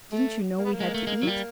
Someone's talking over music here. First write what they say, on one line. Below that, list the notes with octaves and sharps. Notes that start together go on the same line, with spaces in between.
Didn't you know we had to eat?
A3
A#3
B3
A#3
G#3
A3
G#3
F#3
G3